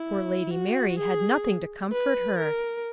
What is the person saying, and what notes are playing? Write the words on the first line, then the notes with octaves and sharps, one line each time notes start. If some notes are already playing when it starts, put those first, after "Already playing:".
Poor Lady Mary had nothing to comfort her.
Already playing: E4
F#4
G#4
B4
A#4